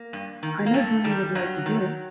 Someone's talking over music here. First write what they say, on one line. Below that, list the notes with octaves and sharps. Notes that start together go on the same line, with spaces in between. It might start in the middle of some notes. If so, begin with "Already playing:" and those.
I know Julie would like to do it.
Already playing: A#3
G2
D#3
A#3
G2 A3
D#3 G3
G2 F#3
D#3